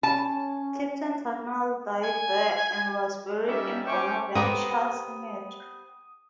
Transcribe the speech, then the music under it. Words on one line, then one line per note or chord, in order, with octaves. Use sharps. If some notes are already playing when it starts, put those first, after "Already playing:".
Captain Tattnall died there and was buried in Bonaventure Cemetery.
C#4 A5
G#5
G3 C#4 D#4 G4 A#4 E5
C#4 C5 G5 C#6 D6
B3 C4 G4 A#4 F#5 D#6